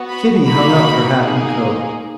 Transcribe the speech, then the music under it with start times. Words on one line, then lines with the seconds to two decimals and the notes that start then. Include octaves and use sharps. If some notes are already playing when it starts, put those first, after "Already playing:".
Kitty hung up her hat and coat.
Already playing: B3 F#4
0.09 B5
0.44 A#3 D#4 F#4 B5
1.17 A#3 D#4 G#4